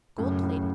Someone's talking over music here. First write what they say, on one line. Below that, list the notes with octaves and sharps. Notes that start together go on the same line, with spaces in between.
Gold Plated.
F#2 A2 C#3
A2 C#3